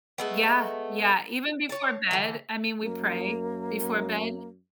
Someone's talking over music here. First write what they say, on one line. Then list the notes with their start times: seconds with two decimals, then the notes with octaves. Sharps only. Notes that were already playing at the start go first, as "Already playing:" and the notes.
Yeah, yeah, even before bed, I mean, we pray before bed
0.18 G#3 A3 B3
1.69 C#5 A5
2.11 D3 E3
2.82 F#2 A#3